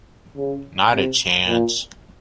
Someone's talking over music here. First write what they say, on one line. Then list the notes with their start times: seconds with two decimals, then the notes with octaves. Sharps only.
Not a chance.
0.37 C#3
0.92 C3
1.47 A#2